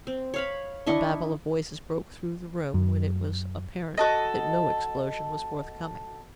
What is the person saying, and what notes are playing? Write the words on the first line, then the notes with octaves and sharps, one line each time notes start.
A babble of voices broke through the room when it was apparent that no explosion was forthcoming.
C4
C#5 F5 B5
D4 E4 D#5 C#6
F#2
F#4 A4 D#5